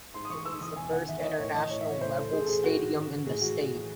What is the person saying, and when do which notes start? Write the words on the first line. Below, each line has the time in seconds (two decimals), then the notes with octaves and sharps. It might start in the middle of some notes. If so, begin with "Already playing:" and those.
It is the first international level stadium in the state.
0.14 G#2 C6
0.25 D#6
0.30 E3 C#6
0.45 G#2 E6
0.61 E3 D#6
0.76 E2 G#5
0.93 D#3 F#5
1.08 E2 E5
1.19 C#5
1.23 D#3 D#5
1.39 A2 C#5
1.54 E3 D#5
1.70 A2 C#5
1.81 E5
1.86 E3 C#5
2.01 A2 C5
2.17 E3 A4
2.33 A2 G#4
2.45 A4
2.48 E3 G#4
2.64 G#2 F#4
2.79 D#3
2.95 G#2
3.11 D#3
3.26 A2 G#4
3.42 E3 F#4
3.58 A2
3.74 E3